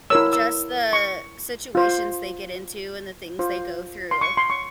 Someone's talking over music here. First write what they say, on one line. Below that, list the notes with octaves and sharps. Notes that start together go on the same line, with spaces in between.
just the situations they get into and the things they go through,
E4 A#4 C#5 E6
E6
C#6
F4 C5
F4 C5
C6
C#6
C6
C#6